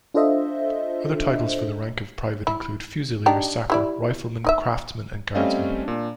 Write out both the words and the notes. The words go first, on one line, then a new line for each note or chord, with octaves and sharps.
Other titles for the rank of private include fusilier, sapper, rifleman, craftsman, and guardsman.
D4 F4 A4 C5 D#5 E5
E4
D4 D#4 G4
G3 E4 D5
D#4 D#5 E5
G3 A3 C4 C#4 D#5 F5
A#2 D4